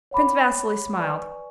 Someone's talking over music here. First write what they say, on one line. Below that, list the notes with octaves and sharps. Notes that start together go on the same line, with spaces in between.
Prince Vasili smiled.
C#5 F#5 B5 D6
B4 D5 G#5 C#6